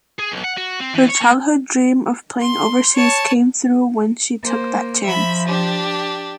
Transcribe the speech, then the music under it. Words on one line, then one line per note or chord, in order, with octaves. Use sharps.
Her childhood dream of playing overseas came through when she took that chance.
G#4
B1
F#5
F#4
C4
E3
C#5
A#3
C6
C#5 A5
A#3 C5
F3 E5 B5
D4 G4